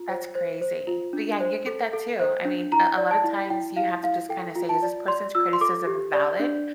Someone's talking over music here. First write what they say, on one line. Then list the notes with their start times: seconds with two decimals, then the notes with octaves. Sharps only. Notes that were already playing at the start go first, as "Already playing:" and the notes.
That's crazy, but, yeah, you get that too. I mean, a a lotta times, you have to just kinda say, "Is this person's criticism valid?
Already playing: F4
0.09 C5
0.35 C5
0.61 C5
0.87 F4
1.13 D4
1.40 C5
1.67 A4
1.93 A4
2.20 C5
2.45 D4
2.72 E4 A#5
2.97 D5
3.11 A5
3.24 E4
3.50 E4 G5
3.76 E4 F5
4.03 E4 F5
4.29 A4 G5
4.55 F4
4.69 A5
4.82 D5
5.08 D5 C6
5.35 F4 E6
5.53 C6
5.61 A4 D6
5.87 G4
6.14 D5
6.40 D4